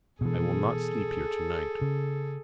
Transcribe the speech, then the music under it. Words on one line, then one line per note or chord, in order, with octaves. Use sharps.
I will not sleep here tonight.
B2 E3 G#4 A4
C#3